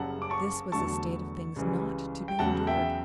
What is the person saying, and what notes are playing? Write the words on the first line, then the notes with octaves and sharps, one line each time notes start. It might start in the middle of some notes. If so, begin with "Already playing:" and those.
This was a state of things not to be endured.
Already playing: F#1 F#2 C#3 G3 F#5 A5
D6
A5 C#6
E2 D3 F#3 A3 A5 C#6
C#2 C#3 E3 G3
G5
E2 C#3 F#3 F#5 A5
E5 G5